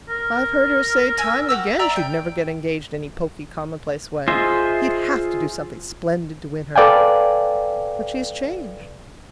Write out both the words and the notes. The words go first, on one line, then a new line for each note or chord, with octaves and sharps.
I've heard her say time and again she'd never get engaged any poky commonplace way . . . he'd HAVE to do something splendid to win her. But she has changed.
A#4
E5 G#5
F#4 G4 E6
D5 E5 A#5
G5
F4 G#4 C5 D#5 E5
A4 B4 D5 F5 G5 G#5